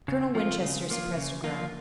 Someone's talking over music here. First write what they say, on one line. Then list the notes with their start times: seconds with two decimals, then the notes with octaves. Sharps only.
Colonel Winchester suppressed a groan.
0.08 C#3
0.35 F3 A#3 F4
0.63 C#3
0.90 F3 A#3 F4
1.17 C#3
1.44 F3 A#3 F4